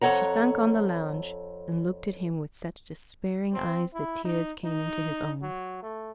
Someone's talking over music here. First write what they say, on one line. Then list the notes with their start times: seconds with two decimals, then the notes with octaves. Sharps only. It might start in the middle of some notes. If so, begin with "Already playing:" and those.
She sunk on the lounge and looked at him with such despairing eyes that tears came into his own.
0.01 F2 A4 C#5 F#5 A#5
3.54 C4
3.94 E4
4.25 D#4
4.65 D#4
5.41 F#3
5.82 A3